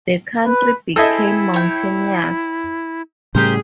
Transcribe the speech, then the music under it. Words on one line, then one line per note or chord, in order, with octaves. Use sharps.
The country became mountainous.
B4
C4 E4 G#4 A4 D#5 E5 G#5
C#5 G5
A2 C#3 G3 G4 G#4 A#4 C5